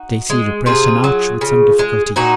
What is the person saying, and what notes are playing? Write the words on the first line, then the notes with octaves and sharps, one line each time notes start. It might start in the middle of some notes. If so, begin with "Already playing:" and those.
Stacy repressed an "ouch" with some difficulty.
Already playing: D#4 F#4
G#3
C3 F4 G#4
F#3
C#3
G#3
A#2 D#4 F#4